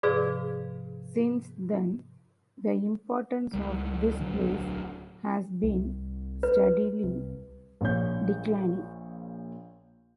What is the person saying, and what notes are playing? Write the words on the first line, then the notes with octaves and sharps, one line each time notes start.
Since then, the importance of this place has been steadily declining.
G#2 C3 F3 G#4 B4 D5
C#2 G3
D1 B1 D3 F#3
C2
B4
C2
A#1 A#2 C#5 G6